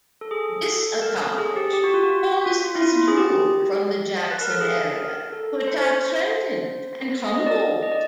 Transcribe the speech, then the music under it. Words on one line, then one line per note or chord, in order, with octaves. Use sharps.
This accomplished, Forrest withdrew from the Jackson area to attack Trenton and Humboldt.
A4
G#4
A4
A#4
A4
G#4
G4
G4
F#4
F4
F#4
F4
E4
F4
G#4
G4
B4
A#4
A4
G#4
A#4
A4
C5
D#5
D5
D#5
D5